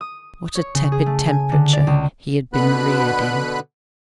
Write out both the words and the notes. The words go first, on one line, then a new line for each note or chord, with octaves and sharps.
What a tepid temperature he had been reared in!
D#6
C#5
C#3
G#4
A3
G#5
D3
D5
C#2
B2 D3 B3 B4 B5 F#6